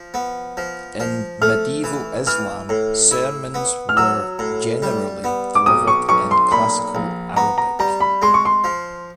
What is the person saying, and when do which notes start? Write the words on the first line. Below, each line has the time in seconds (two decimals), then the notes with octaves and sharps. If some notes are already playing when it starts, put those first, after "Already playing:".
In medieval Islam, sermons were generally delivered in classical Arabic.
Already playing: F3
0.14 B3
0.57 F3
1.00 F3
1.42 A3 F6
1.84 E3
2.27 E3 F6
2.69 A2
3.11 E4
3.54 B3
3.89 F6
3.97 F#3 E6
4.39 A2
4.82 G3
5.24 B3
5.55 D6
5.66 B1 D#6
5.87 C#6
6.09 B1 C#6
6.31 C6
6.51 A#2 B5
6.95 A#1
7.37 B3 A#5
7.58 A#5
7.79 G3 A#5
8.00 B5
8.22 G#3 C6
8.34 C#6
8.45 C6
8.64 F3